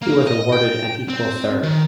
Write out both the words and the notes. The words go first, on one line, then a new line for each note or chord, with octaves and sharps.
He was awarded an equal third.
A#3
D#5
G5
C4
D#3